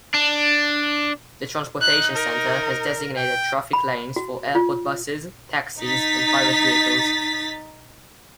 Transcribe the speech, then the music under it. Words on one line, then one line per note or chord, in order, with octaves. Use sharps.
The transportation centre has designated traffic lanes for airport buses, taxis and private vehicles.
D4
D#4 F#6
A#4
G5
B5
F#4
F4
D#4 A6 B6